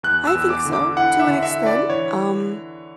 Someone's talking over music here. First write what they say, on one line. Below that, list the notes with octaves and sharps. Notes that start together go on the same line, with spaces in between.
I think so to an extent. Um,
E2 F#6
E6
E2
D6
D3
D6
E4 F#5
E5
D3
E5
E4
D5
E3 C#5